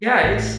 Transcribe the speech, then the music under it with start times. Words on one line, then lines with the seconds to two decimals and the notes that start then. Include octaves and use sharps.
Yeah, it's
0.23 A1